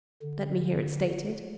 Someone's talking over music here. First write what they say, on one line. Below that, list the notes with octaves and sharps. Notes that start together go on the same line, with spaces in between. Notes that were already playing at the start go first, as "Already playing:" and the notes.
Let me hear it stated.
D3